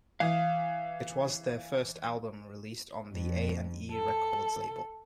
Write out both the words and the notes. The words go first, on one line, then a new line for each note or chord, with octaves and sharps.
It was their first album released on the A and E Records label.
E3 F5 D#6
F2
A4